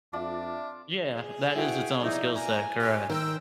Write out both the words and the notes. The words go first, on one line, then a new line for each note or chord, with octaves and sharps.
Yeah. That is its own skill set, correct.
F2 D4 F4 D5 E5 A5
G#4
E4 F#4 B4 F#5 G5
F3 D#4 E4 D5
A#3 G#5 A#5
C#4 F4 G4
D#3 A#4 C5 G5 E6